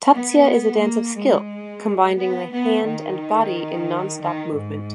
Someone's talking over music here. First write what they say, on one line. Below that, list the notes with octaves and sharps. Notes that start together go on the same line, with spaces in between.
Tatsia is a dance of skill, combining the hand and body in non-stop movement.
B3
A#3
G#3
B3
B3
D#3
D#3
G#2